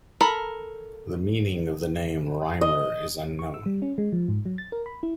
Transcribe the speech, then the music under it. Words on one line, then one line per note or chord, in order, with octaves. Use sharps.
The meaning of the name "Rymr" is unknown.
A4 A#4 B5
D#5
C#6
E6
G3
C#4
G#3
F3
G#2
F#3
A6
A#4
B5
E4